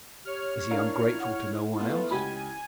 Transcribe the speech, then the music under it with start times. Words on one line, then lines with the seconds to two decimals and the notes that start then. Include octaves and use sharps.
"Is he ungrateful to no one else?"
0.25 G4 C#5 F6
0.70 D4 E4 A#4 F5
1.19 F#5
1.76 A3 B3 F4
2.11 C#2 G4 G#5 B5